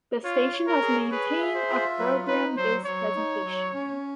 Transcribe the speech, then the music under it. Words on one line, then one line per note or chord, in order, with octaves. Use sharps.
The station has maintained a "programme based" presentation.
F4 C#5
C#5
A#4
G#4
G#4 B4
E5
C5
F4
F#3 B4
D#4 B4
F#3 C5
F#3 C#5
D#4
F#3
C#4